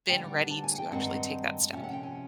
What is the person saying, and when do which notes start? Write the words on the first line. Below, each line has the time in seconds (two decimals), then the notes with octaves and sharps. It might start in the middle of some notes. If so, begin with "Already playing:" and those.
been ready to actually take that step.
0.09 D3 G3 B3 G5
0.51 A5
0.64 G#5
0.78 G5
0.92 G2 D#3 G#3 C4 F#5
1.73 C3 F3 A#3 C#4 E5
1.84 F#5
1.93 G5
2.03 G#5